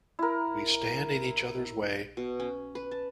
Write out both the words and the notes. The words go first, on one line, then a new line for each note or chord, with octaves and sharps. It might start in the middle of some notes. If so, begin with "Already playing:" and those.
We stand in each others' way!
E4 A#4
B2
C#4
B4
A5